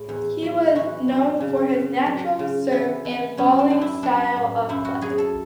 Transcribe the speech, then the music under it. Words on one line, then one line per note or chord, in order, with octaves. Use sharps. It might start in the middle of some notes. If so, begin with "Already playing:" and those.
He was known for his natural serve-and-volley style of play.
Already playing: A2 G#4
E2
F#3
E3 F#4
F#2
C#3
C#3
F#3
C#3
E3 E4
E3
F#2 C#4
D4
F#2
E4
F#3 D4
A2
F#2 E4
F#4
F#3 G#4
A4